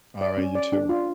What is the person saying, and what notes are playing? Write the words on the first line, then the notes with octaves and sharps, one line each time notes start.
Alright, you, too.
D5
C#4
D5
D4
F4